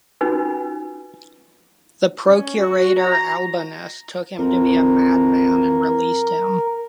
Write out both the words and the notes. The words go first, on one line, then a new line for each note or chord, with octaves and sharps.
The procurator Albinus took him to be a madman and released him.
C#4 D#4 F4 F#4 B4 G#5
C#4
F#4
A#5
F2 A#4